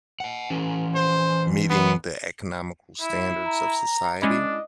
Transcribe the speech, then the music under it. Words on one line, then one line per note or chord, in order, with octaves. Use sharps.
meeting the economical standards of society,
D#5 F#5
E3 C#4
C5
B3
E4
A#5
G#3 C#4 D4 E4 D#5